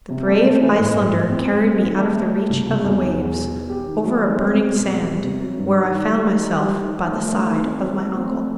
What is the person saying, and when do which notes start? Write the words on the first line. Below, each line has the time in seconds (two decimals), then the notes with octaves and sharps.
The brave Icelander carried me out of the reach of the waves, over a burning sand where I found myself by the side of my uncle.
0.10 C3
0.27 A3
0.44 A3
0.61 E3
0.79 A2
0.96 A2
1.13 A2
1.29 C4
1.46 C4
1.64 C4
1.81 D#3
1.98 A3
2.15 A3
2.32 F#3
2.50 C2
2.66 C2
2.84 E2
3.01 D#3
3.18 E2
3.35 B2
3.52 B2
3.70 G4
3.86 D#3
4.04 F#3
4.21 D#3
4.38 C4
4.55 C4
4.71 B2
4.89 E2
5.07 G3
5.24 C3
5.41 F#3
5.57 G2
5.75 D#4
5.91 D#3
6.08 G3
6.26 D#4
6.43 G3
6.60 G3
6.77 D#3
6.95 D#3
7.12 A3
7.29 A3
7.46 D#3
7.63 C4
7.80 F#3
7.97 A3
8.15 C4
8.31 A3